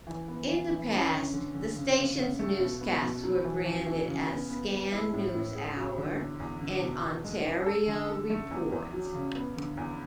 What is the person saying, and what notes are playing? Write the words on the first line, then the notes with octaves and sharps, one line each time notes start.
In the past, the station's newscasts were branded as "Scan NewsHour" and "Ontario Report".
E3
B3
E3
E3
C#4
D3
D3
D3
C#3
C#3
C#3
A3
B2
B3
B2
F#3
E3
E3
E3
C#3
B3
B3
B3
E4
A2
A2
G#4
F#3
D3
E2
E2
D3
B2
E2
G#3
D4
A4
D3
A4
A3
E2
E2
F#3
C#3
B3
D3
E2